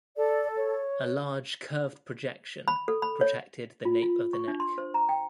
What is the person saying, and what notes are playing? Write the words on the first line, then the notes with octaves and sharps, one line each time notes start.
A large curved projection protected the nape of the neck.
A4 D5
C#5
B5
A4
B5
C#5
F4
F4
C#6
D4
C6
C5
A#5
G5